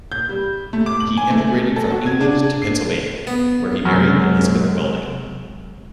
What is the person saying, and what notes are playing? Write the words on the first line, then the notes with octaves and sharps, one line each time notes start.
He emigrated from England to Pennsylvania, where he married Elizabeth Welding.
G6
G3
A3
D6
F#7
G#5
A3
A4
F#4
G#6
D4
C7
B3
F#2 C3 F#3 G#3